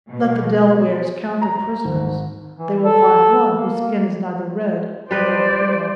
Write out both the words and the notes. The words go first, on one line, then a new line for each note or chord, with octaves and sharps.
"Let the Delawares count their prisoners; they will find one whose skin is neither red nor pale."
B2
A#5
G#1
E3
A4
A#3
G3 B4 C5 D5 D#5